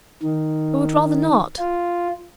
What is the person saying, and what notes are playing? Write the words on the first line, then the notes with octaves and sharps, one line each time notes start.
I would rather not.'
D#3
F4